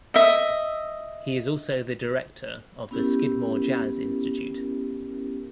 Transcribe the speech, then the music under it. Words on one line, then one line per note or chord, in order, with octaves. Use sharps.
He is also the Director of the Skidmore Jazz Institute.
D#5 E5
B3 C#4 E4 G4 A#4